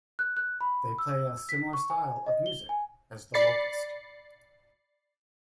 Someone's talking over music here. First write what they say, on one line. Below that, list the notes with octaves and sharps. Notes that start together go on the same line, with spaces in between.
They play a similar style of music as The Locust.
F#6
F#6
B5
E6
B6
C#6
G#5
D#5
G7
G#5
D5 B5 A6 C7 C#7